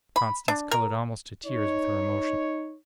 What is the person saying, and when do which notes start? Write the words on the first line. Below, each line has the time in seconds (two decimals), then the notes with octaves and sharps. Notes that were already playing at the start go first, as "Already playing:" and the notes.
Constance coloured almost to tears with her emotion.
0.16 B5
0.48 D4
0.71 A#4
1.47 D#4 C#5